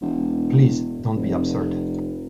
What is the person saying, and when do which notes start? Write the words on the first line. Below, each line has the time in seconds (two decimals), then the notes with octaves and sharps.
Please, don’t be absurd.
0.02 E1
1.16 F1